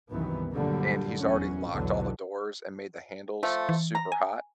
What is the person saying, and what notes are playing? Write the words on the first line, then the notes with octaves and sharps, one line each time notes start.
and he's already locked all the doors and made the handles super hot,
C2 F#2 D#3 E3 B3
G2 A#2 D3 F#3 G3
F1 E2 F#3 C#4
B1 E2 B2 D3 F#3
F3 A3
E3
A#5
G#5